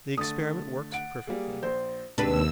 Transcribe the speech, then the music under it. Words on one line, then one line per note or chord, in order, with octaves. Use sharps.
The experiment works perfectly.
D3 A3 D#6 A6
F#5 D7
G3 A#3 G#4
A#1 C5
D#2 C3 G#3 D4 G4 B4 E6